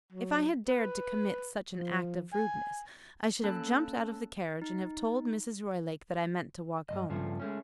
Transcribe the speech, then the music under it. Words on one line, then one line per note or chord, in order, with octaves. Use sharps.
If I had dared to commit such an act of rudeness, I should have jumped out of the carriage, and have told Mrs. Roylake that I meant to walk home.
F#3
B4
F3
G#5
A#3 C#4 A4 A5 F#6
D#4
G2 D#3 D#5
G2 C#3 F3 A3
G#3 A3 C#4